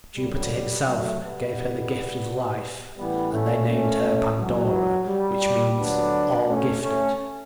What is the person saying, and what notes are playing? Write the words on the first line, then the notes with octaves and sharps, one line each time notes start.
Jupiter himself gave her the gift of life, and they named her Pandora, which means "all-gifted."
D2 D3 F#3 G3
F#3 A3
G3 B3
A1 A2 E3
A1 A2 E3 G3 B3
A3 C#4
A3 C#4
C#2 C#3 E3 F#3
G3
D2 D3 F#3 B3 D4
A3 C#4
A3 C#4